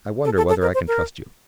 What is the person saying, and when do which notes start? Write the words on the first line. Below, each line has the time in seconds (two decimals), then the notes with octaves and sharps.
I wonder whether I can trust you?
0.25 A4
0.37 A4
0.49 A4
0.62 A#4
0.74 C5
0.88 A#4